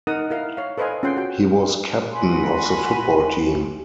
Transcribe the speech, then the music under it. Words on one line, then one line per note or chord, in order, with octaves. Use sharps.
He was captain of the football team.
D#4 A#4 F#5 D#6
E4 A#4 F5
C#5 F5
A4 B4 C5 D#5 F5 G#5
C#4 F4 G#4 F#5 G5 C6
F#4 G5
F#4 G#5 B5 C6